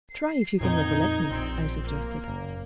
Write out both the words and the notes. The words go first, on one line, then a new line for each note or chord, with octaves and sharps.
"Try if you can recollect me," I suggested.
C7
F2 A#2 C4 D#4 G#6
A#1 C4
A#3
F#1